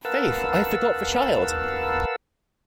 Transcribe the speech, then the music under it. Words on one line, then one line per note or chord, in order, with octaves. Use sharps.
Faith, I forgot the child!
A#4 B4 F5 F#5 A5 E6